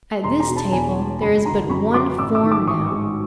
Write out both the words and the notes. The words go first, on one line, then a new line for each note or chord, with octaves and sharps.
At this table there is but one form now.
E1 A#5 C6
A#5 C6
B2
A5 B5
E2 G#5 A#5
G#3
F#1 A5 B5
D3 A#5 C6
F#2 B5 C#6
F#3 C6 D6
A1 D6 E6
D6 E6
D#3
D6 E6
G#2 C#6 D#6
G#3